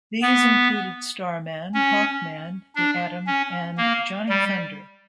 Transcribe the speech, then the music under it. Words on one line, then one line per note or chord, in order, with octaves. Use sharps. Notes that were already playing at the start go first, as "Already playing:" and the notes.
These included Starman, Hawkman, The Atom and Johnny Thunder.
B3
C#4
D4
C#4
A#3
G3